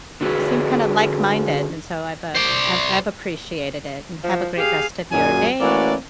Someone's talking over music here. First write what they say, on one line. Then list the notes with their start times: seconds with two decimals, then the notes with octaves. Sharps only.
It seemed kinda like-minded and so I've, uh, I've I've appreciated it and have a great rest of your day
0.21 D3 F#4 G#4 B4
2.35 C5 D5
4.24 F3
4.57 G4 G#4 F5
5.12 F#2 A#2 F#3 G#4 G#5
5.60 E3 A3 A#3 F#4 D5